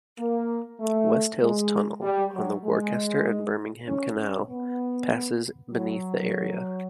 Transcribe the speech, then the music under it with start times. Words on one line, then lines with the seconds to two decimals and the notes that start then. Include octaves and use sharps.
Wast Hills Tunnel, on the Worcester and Birmingham Canal, passes beneath the area.
0.19 A#3
0.80 A3
1.42 G#3
2.03 G3
2.34 F#3
2.65 G#3
3.87 C#4
4.18 C#4
4.49 B3
5.71 F#3